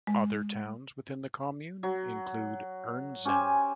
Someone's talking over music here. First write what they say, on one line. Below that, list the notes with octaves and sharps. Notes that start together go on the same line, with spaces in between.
Other towns within the commune include Ernzen.
G#3
F#3
C#4 G4 C5 G#5